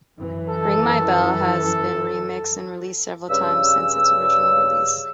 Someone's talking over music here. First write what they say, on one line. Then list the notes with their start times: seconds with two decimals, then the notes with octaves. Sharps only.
"Ring My Bell" has been remixed and released several times since its original release.
0.16 F#2 E3
0.49 A4
3.29 G2 C#3 E6